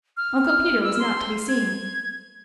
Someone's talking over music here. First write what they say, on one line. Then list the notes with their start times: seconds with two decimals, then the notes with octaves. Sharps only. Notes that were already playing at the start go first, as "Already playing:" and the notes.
Uncle Peter was not to be seen.
0.17 F6
0.83 E6
1.00 C6
1.48 G#6